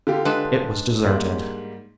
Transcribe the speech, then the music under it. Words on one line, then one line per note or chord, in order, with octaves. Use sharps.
It was deserted.
D3 F4 G4
G#3 D4 B4
G#2 G3 A#3